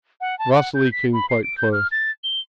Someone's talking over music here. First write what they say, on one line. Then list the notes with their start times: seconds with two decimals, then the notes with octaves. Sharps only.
Vasily came quite close.
0.21 F#5
0.39 A5
0.53 F#5
0.75 G6
0.92 B6
1.13 B5
1.29 C7
1.43 D7
1.57 G6
1.72 F6
1.91 A6
2.24 G7